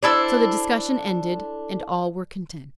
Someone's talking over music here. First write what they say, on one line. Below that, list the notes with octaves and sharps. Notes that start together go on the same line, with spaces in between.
So the discussion ended, and all were content.
D4 E4 A4 C5